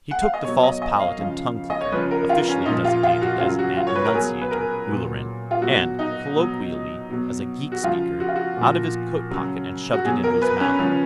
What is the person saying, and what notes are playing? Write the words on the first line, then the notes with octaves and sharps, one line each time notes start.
He took the false palate and tongue-clicker, officially designated as an "enunciator, Ulleran" and, colloquially, as a geek-speaker, out of his coat pocket and shoved it into his mouth.
F#5
F5
D#5
B2 F#3 C#5
D#5
D#5
F5
C#3 F3 F5
D#5
C#5
C#3 F3 B4
A#4
F4
C#4
A#2 F3 D#4
F4
F4
F#4
C#3 F#3 F4
F#4
F4
C#5
B4
A#4
B2 F#3 G#4
B4
A#4
A#2 F#3
F4
B2 F#3 F#4
D#4
B2 F#3
B2 F#3
F#4
C#3 F3 F4
F#4
F4
F#4
A#2 F3
C#3 F#3
F#4
B2 F#3 G#4
A#4
B4
C#4
C#3 F3 C#4